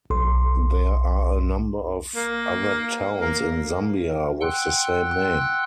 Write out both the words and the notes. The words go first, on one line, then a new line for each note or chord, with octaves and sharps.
There are a number of other towns in Zambia with the same name.
B1 C6
A#3
A#3
F#5 G5 C6 E6 F#6